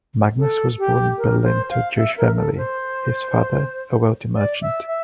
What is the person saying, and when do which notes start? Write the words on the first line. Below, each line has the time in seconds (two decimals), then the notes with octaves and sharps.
Magnus was born in Berlin to a Jewish family, his father a wealthy merchant.
0.39 A4
0.79 G4
1.18 A#4
1.44 C5
1.70 F5
1.97 E5
2.17 A#4
2.36 A4
2.57 C5
4.35 D5
4.62 E5
4.87 E5